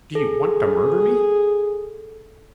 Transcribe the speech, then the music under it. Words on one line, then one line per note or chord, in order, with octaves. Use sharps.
"Do you want to murder me?"
G#4 A4